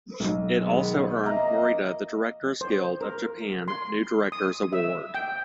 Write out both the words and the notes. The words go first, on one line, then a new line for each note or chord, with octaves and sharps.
It also earned Morita the Directors Guild of Japan New Directors Award.
B1
D#3 G#3 B3
F2 A#3 D#5 E5 A#5
C5
A#4
C6
D#6
E5
G5